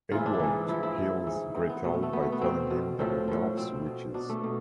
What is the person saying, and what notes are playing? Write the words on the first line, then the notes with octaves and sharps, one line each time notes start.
Edward heals Gretel by telling him that he helps witches.
G#2 E3 F4
E4
D4
E4
G#2 E3
G#2 F3 E4
E4
G#2 F3
G#2 E3
G#2 E3 C4
B3
B2 A3
B3
A3
B2 B3
A3
B3
B2 C4
B2
A2 F3 C4
A2 F3
B2 C4
B2
B2 D4
A3
B2